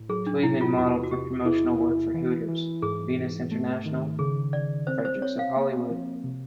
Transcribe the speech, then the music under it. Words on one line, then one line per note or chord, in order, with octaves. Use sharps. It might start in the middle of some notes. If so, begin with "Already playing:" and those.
Tweeden modeled for promotional work for Hooters, Venus International, Frederick's of Hollywood.
Already playing: A2
F#3 G#4
D4
C3 E4
F4
E2 F#4
F#4
C3 G4
E4 G#4
E4
E3
E3
G#2 G#4
G#2
A3
D#3
C#3 G#4
C#3 D5
C4 C5
C5
C4 C#5
F5
A#3
F3
C3